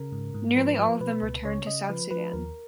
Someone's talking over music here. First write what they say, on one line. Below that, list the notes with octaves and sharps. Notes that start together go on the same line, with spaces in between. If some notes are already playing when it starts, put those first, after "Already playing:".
Nearly all of them returned to South Sudan.
Already playing: C#3 A#4
G#2
G#2
F3 B4
F3
B2 B4
C#2
C#3 C#5
C#3 D#5
F3 B4
F3 B4
D#2 A#4